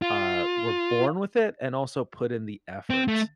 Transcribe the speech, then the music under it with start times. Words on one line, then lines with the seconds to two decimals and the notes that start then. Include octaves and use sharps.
uh, were born with it and also put in the effort.
0.02 F4
2.90 C4
3.08 A3